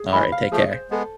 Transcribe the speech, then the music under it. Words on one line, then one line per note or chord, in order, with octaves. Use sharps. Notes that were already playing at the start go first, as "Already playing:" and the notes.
Alright. Take care.
Already playing: G#4
E3 G#3 B5
F5
F3 A3 G#4
C5
G#3 B3 A4